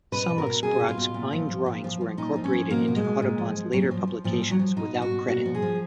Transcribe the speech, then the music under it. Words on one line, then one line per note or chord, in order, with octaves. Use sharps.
Some of Sprague's fine drawings were incorporated into Audubon's later publications, without credit.
B2 B4
B2
A#4
B2
B2 G#4
B2
F4
B2
A#2
F3
F3
A#2
F3
F3
A#2 D#4
F3
C#4
F3
B2 A#3
B2
G#3
B2
A#2
F3
F3
A#2 F#3
F3
F3
A#2 F3
F3
F#3
F3
B2 D#4
B2
F#4
B2
A#2 F#4
F3
G#4
F3